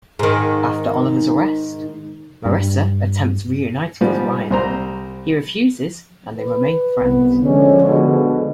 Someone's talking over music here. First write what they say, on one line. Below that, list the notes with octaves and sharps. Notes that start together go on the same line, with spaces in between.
After Oliver's arrest, Marissa attempts reuniting with Ryan, he refuses and they remain friends.
G#2 D#3
G2
G#2 F3 G3 B3 F4
C2 C5 A#5
B4
C2 B3
D3 F3 G#3 C#4
B2